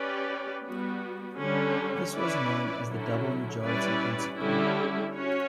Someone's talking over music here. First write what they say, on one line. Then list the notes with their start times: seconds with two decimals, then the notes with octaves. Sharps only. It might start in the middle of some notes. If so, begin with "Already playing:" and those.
This was known as the double majority principle.
Already playing: C#4 G4 B4 D5
0.65 G3 B3 F#4
1.39 D3 G3 C#4
2.13 C#4 E4 B4 D5
2.89 D3 F#3 C#4 E4
3.63 G3 C#4 E4 B4 D5
4.37 D3 G3 C#4 E4
5.13 C#4 F#4 C#5